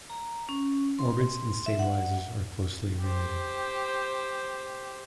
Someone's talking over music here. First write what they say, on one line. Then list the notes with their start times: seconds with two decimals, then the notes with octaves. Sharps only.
Orbits and stabilizers are closely related.
0.10 A#5
0.49 C#4
0.99 C6
1.66 E5
1.79 F#5
3.01 G4 C5